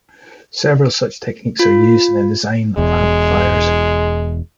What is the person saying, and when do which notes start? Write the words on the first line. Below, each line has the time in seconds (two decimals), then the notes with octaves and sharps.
Several such techniques are used in the design of amplifiers.
1.59 F4
2.77 E1 E2 G#3